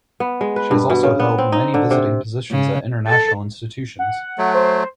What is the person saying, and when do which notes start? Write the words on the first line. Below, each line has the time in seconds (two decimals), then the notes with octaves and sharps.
She has also held many visiting positions at international institutions.
0.20 B3
0.41 G#3
0.56 B4
0.71 G2
0.90 B2
1.03 C#3
1.20 B3
1.38 C4
1.52 D#4
1.74 D3
1.91 C3
2.51 C#3
3.07 A4
3.99 F#5
4.38 F#3 A3
4.54 C5